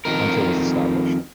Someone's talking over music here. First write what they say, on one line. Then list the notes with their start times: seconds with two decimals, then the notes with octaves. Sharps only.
Hunter was established.
0.05 F2 A#2 D#3 A#4